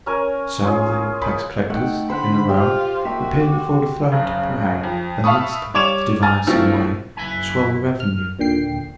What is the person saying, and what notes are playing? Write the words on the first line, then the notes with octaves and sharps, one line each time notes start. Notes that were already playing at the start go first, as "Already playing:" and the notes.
So The tax-collectors in a row Appeared before the throne to pray Their master to devise some way To swell the revenue.
C#4 A#4 G#5
C#4 F4 G#4
G#4
B5
A3 D#4 F#5 G5
D3 C5 F#5 B5 F#6
F4 G4 C5
A#3 F#4 G4 E5 D#6
D6
F#1 C#3
F2
E5 F5 A5 B5 C#6 D#6
G3 C#5 D6 G#6 E7 F7
G#5 A#5 F6 A6
G2 B2 F3 A3 C4 E4
F#1 E4 B4 E5 G#5
F6
D#2 A#2 D3 G5 C7